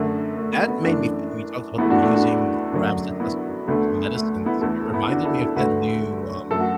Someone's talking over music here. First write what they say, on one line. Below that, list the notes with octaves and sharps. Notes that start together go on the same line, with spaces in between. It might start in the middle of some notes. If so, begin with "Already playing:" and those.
That made me think when you talked about them using perhaps to test for some medicines, it reminded me of that new, um
Already playing: F#2 D3 A3
A3
B3
B3
F#2 E3 A3 D4
E2 E3 A3 B3 E4
D4 F#4
A3 D4
D4 F#4
F#2 D3 F#3 A3
B3 E4
D2 D3 A3 B3
A3
B3 E4
E2 E3 A3 E4 A4
B3 E4
D4 F#4
E4 A4
E4 A4
D2 D3 A3 F#4 B4
F#2 F#3 A3 A4
F#4